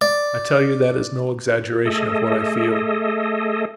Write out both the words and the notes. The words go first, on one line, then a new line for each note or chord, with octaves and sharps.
I tell you that is no exaggeration of what I feel.
D5
A3 G#4 A4 D#5